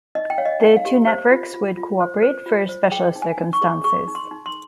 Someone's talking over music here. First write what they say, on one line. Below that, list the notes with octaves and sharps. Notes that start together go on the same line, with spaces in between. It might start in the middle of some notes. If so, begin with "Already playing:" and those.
The two networks would cooperate for special circumstances.
D#4 D#5
G5
C#5 F5
D#5
D#4
F5
G4
C5
F4
F4
F4
C5
C5
F4
C5
G#4 G5
D#4
G#5
D#4
C#6
G#4
G#4 C#6
D#4
C6
D#4
C6